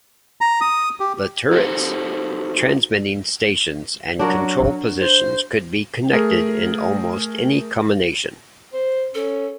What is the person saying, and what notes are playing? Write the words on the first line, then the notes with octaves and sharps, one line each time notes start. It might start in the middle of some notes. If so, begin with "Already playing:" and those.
The turrets, transmitting stations, and control positions could be connected in almost any combination.
A#5
D#6
G4
D#4 F#4 G4 A4 C5
F#3 D4 F#4 A#4
C5
A3 G#4 A#4
C5
C#4 A4